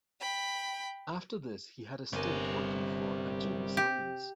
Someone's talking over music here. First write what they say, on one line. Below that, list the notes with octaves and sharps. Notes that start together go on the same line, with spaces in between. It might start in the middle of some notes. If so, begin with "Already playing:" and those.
After this he had a stint working for a Jamie Symonds.
G5 B5
G1 C3 G3 A#4 G#5
G4